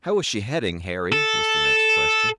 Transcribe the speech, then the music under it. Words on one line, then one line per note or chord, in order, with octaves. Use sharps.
"How is she heading, Harry?" was the next question.
A4